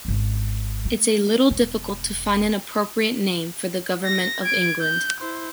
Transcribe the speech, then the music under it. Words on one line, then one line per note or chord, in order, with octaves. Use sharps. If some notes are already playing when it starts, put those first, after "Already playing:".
It’s a little difficult to find an appropriate name for the government of England.
G#1 C#4
A3
E1
A#6
G#6 D7
G6
E4 C5